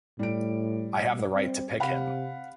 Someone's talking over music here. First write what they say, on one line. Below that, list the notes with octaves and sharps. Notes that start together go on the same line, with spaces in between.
I have the right to pick him.
A2 G3 D7
C4
C3 F5 F#5 B5